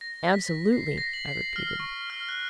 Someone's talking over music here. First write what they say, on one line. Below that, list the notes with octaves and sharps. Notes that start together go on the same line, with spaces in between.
"Absolutely!" I repeated.
A#6
B6
C7
A#6
F#7
C7
F6
C#6
F6
F#6